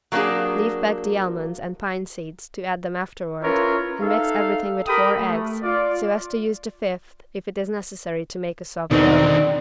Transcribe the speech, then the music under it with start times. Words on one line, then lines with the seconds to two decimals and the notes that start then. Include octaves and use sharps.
Leave back the almonds and pine-seeds to add them afterward, and mix everything with four eggs, so as to use the fifth if it is necessary to make a soft dough.
0.12 F#3 A3 A#3 D4 G4 G#4
3.42 C#4 E4 F4 A#4 B4 C#5
4.01 D#4 A4 E5 F5
4.87 G4 A4 A#4 G5 B5 D#6
5.20 A3
5.62 F4 D5
8.91 E2 B2 D3 D#3 C4 D#4 D5